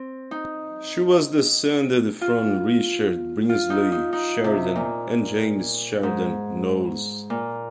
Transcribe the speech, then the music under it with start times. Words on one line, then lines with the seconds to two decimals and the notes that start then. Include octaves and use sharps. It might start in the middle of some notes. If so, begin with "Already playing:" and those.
She was descended from Richard Brinsley Sheridan and James Sheridan Knowles.
Already playing: C4
0.31 D#4
2.21 F4
3.49 F4
3.70 D#4
3.92 D#4
4.13 D#4
4.44 C3
4.76 A#2
6.03 G#2
7.30 A#2